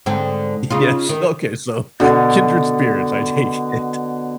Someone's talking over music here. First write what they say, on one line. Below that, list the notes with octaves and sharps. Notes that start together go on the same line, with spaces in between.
Yes, okay, so, kindred spirits, I take it.
G#2 D3 C4
C#3 D#4 F4
D#3
B2 D3